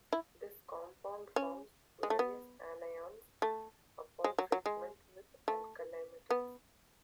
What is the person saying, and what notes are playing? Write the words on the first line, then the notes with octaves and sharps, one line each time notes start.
This compound forms various anions upon treatment with alkali metals.
E4
C#4
G#3
A3
B3
A3
G#3
F#3
F#3
G#3
A3
B3